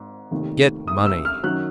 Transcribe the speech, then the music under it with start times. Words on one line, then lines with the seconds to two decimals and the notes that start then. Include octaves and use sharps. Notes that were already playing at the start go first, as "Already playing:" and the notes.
Get money!
Already playing: G#1 G#2
0.31 F1 D#2 D#3
0.88 D#6
1.06 E6
1.25 F6
1.43 F#2 D#3 F#3 F#6